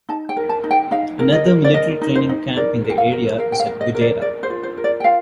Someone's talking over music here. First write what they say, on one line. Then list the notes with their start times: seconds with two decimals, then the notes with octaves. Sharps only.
Another military training camp in the area is at Guedera.
0.09 D#4 A5
0.29 G5
0.37 A#4
0.49 A5
0.64 D#4
0.71 G5
0.91 D#4 F5
1.19 A#4
1.32 D#5
1.46 A#4
1.64 D5
1.74 A#4 D#5
2.01 D#4
2.15 C5
2.29 D#4
2.56 A#4 D5
2.84 A#4
2.90 G5
2.98 F5
3.12 A#4
3.38 A#4 F5
3.52 G5
3.60 F5
3.67 A#4
3.81 D#5
3.95 A#4
4.01 D5
4.22 A#4 D5
4.43 C5
4.50 F4
4.63 C5
4.77 A#4
4.84 D5
5.00 G5
5.04 F4 F5